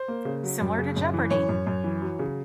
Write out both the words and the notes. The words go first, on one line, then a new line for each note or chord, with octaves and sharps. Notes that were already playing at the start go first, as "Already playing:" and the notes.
Similar to Jeopardy!
Already playing: C5
A#3
C#3
F#3
F#2
C#3
F#2
E3
F#2 C#5
F#2
F#2
E3
F#3
C#3